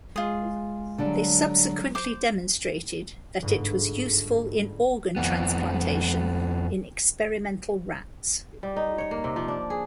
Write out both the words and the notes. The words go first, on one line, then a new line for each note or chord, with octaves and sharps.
They subsequently demonstrated that it was useful in organ transplantation in experimental rats.
G#3 F4 G#4
D3 F#3 G3 D4
C5 D6
G1 G#2
F2 B3
G3
D#4
C#5
A#3
C3
F3
D4
G#4